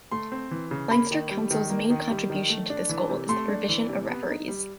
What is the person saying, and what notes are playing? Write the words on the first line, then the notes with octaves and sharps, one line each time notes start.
Leinster Council's main contribution to this goal is the provision of referees.
A3 C6
C4
E3
C#3
A#3 B5
D#3
G3
D#3
A#3
D#3
G3
D#3
A3
D4
E3
C3
A3 C6
D4
E3
C3
B3
D#4
G3